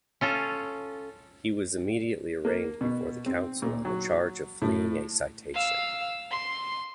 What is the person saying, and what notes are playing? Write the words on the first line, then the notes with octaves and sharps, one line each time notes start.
He was immediately arraigned before the council on the charge of fleeing a citation.
C#4 F4 A4
A#3
B2
C4
A#2
F#3
A2
F5 E6
C6